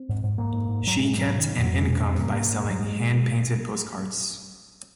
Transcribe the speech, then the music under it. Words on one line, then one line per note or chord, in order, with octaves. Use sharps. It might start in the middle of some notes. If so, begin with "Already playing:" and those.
She kept an income by selling hand-painted postcards.
Already playing: C4
G#2
G#2
G#2 A#3
G#2
G#2
G#2 F#3
G#2 G#3
G#2
F#3
G#2
D#3
G#2
F2 F#3
C3 G#3
F2
C4
C3
C4
G#2 A#3
G#2
G#2
G#2
F#3
G#2 G#3